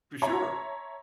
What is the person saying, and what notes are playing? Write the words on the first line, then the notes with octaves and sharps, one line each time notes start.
For sure!
C#5 E5 A5 A#5 C6